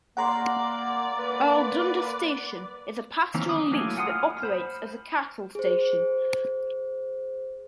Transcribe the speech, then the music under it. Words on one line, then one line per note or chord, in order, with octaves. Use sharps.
Erldunda Station is a pastoral lease that operates as a cattle station.
A#3 D5 F#5 A#5 C6
A#3 B4
D#3 E3 A#3 C4 C#4
D6 D#6
F#3 A3 A#3 E4 G#5
F4 F#5 G#5 C6 D#6
F6
C5 B5
G#4 C5